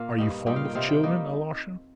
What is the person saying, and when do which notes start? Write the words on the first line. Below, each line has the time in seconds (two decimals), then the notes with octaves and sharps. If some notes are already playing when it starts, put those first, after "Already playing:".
Are you fond of children, Alyosha?
Already playing: A#2 A#3 F5
0.18 G2 G3 D#4
0.46 A#2 G3 D#4 G5
0.56 F5
0.65 G5
0.75 C3 G3 C4 D#4 F5
0.89 G5
1.03 G3 A#3 D#4